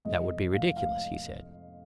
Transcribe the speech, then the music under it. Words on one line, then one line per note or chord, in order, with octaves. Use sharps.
That would be ridiculous, he said.
F2 C3 G3 D#5
F5
F5